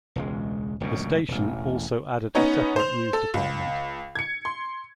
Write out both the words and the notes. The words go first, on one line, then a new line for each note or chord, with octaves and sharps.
The station also added a separate news department.
E1 C#2 G#3
D1 C#2 F#2 B2
E1 A1
B3 C#4 D#4 C#5
C5 F7
A4
C#2
G#6 C#7
C6